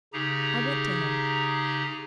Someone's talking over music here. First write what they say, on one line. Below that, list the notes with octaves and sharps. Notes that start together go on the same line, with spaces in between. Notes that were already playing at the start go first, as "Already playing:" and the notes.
I went to him.
C#3 D#4 G4 G#4 A#5